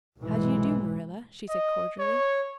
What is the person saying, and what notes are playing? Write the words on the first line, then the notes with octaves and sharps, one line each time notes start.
"How do you do, Marilla?" she said cordially.
B1 G#2 C3 E3 G#3
D#5
C#5